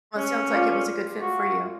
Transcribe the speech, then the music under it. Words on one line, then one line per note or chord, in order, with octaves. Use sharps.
Well, it sounds like it was a good fit for you.
C#4
F4 D5 B5
F#4